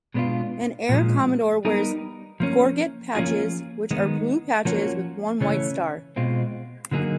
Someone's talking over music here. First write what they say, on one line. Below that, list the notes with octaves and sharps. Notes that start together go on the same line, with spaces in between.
An air commodore wears gorget patches which are blue patches with one white star.
B2 G#3 B3 D4 F4
A#2 F3 G#3
G3 B3 D#4 G4 A#4
F3 A#3 C#4
F3 A#3 C#4 F4 G#4
D#3 G#3 B3
F3 A#3 C#4 F#4
C#3 E3 A3 C#4
B2 G#3 C4 F4
D3 F#3 A#3 D#4 G#4